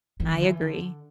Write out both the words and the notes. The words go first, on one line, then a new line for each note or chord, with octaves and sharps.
I agree.
E3
D3
E3
D3